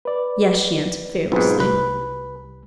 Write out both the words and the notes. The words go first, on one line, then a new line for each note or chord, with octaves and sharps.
"Yes," she answered fearlessly.
B4 D5
B1 G#2 C4 F4 B4
C2 G3 B4